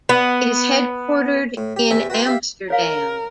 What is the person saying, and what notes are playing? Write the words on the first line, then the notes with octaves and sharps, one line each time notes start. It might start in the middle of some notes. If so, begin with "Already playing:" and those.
It is headquartered in Amsterdam.
B3
A2
G4
E2 C3 E5 G#5
F#4 B4 G5 C6
G4 E5 F5
A#4 C#5 F5